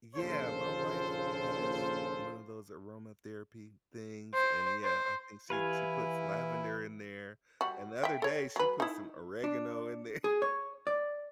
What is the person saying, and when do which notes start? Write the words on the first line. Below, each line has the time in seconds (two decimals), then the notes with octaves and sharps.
Yeah, my wife has one of those aromatherapy things, and, yeah, I think she she puts lavender in there, and the other day, she put some oregano in there,
0.16 A#1 D#2 C#3 F4 A4 C5
4.34 C5
4.83 C5
5.50 E3 E4 G4 B4 F5 G#5
7.61 G3 F#4
8.03 E5 G5
8.22 A4 C#5
8.56 F#3 B4
8.80 D#4 E4
9.44 D4
10.24 G#4
10.42 C#5
10.87 D5